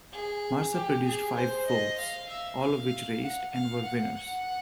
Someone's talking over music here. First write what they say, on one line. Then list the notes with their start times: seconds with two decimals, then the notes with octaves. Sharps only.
Marsa produced five foals, all of which raced and were winners.
0.12 G#4
0.74 G4
1.05 G#4
1.36 C5
1.67 D#5
1.99 F5
2.29 E5
2.60 F5
3.22 F#5
3.53 F5
3.83 F#5
4.14 F#5